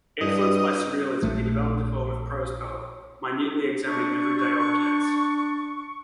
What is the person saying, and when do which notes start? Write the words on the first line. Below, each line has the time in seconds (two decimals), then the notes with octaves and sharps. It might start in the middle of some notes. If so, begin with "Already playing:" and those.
Influenced by surrealism, he developed a form of prose poem, minutely examining everyday objects.
0.21 G2 D#5
1.22 A#1 A3
3.88 D4 C#6